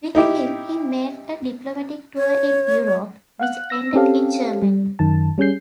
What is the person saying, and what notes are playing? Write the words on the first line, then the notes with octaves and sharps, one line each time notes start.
With him, he made a diplomatic tour in Europe which ended in Germany.
D#4 E4 G4
C#5
F5 F#5 F#6
E6 A#6
C4 C#4 G4 A4 F5
G3
F#2 D#3 A5
G3 C#4 G#4 G6 C7